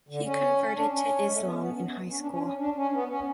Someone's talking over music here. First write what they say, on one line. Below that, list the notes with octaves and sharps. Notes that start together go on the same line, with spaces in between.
He converted to Islam in high school.
D3
C#4
C#4
D4
C#4
G#3
A3
B3
B3
C#4
B3
C#4
D4
C#4
D4
C#4
D4
C#4
B3
C#4